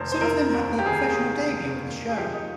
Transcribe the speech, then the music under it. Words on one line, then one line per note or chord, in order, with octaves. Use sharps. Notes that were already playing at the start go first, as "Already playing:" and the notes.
Some of them had their professional debut on the show.
Already playing: F1 D#3 C5
C5
F1 A#4
D#2
G4
D#3 G#4
F1
F1
D#2
G#4
F3 G4
D#4